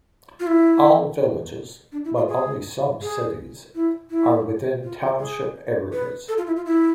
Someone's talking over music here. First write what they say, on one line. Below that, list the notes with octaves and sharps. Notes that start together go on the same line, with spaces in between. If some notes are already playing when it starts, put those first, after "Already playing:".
All villages, but only some cities, are within township areas.
F4
E4
D4
E4
F4
G#4
G#4
E4
E4
F4
G#4
B4
A4
F4
E4
F4
E4